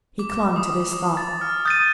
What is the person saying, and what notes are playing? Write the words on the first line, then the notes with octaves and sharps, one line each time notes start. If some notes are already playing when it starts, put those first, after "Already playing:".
He clung to this thought.
D6
D#6
D#6
A6
F6
D#6 G6 A6 D#7